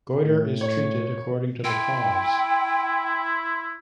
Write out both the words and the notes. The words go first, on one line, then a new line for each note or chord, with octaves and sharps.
Goitre is treated according to the cause.
A2
C#5
E4 G5 C6